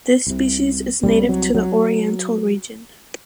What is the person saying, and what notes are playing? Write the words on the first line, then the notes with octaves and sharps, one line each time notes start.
This species is native to the Oriental region.
C2 C3
C2 C3 G3
F#3
F#3